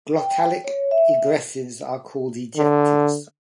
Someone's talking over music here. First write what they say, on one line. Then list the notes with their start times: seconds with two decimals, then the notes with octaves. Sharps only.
Glottalic egressives are called ejectives.
0.17 G5
0.64 C#5
0.91 E5
2.56 D3